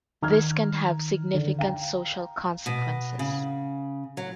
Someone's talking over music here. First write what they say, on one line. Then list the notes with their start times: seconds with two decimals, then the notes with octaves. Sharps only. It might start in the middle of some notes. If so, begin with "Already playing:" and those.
This can have significant social consequences.
0.22 D#3 A#5 F6 G#6
1.34 D3
1.59 F5 G5 A#5
2.66 B2
3.19 C#3
4.17 F#3